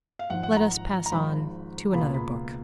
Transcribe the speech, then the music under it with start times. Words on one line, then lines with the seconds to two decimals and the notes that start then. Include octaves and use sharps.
Let us pass on to another book.
0.19 F5
0.30 G#1 G#2 F3 F#5
0.43 F#5
0.57 A#5
1.06 A#5
1.12 G#1 G#2 F3 G#3 B5
1.93 C#2 B2 A#3 F4 G#4 B5
2.14 B5